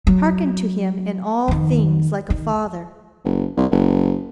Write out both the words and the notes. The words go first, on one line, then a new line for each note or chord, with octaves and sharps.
Hearken to him in all things like a father.
F#3
F2 D#3
D#3
F#1
C2
F#1